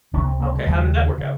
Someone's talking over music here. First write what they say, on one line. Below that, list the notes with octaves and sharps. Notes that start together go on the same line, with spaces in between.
Okay, how did that work out?
C#2 C3 C#4
A#3
C4
A#3
G#3
D#2 C#3 G3
C#3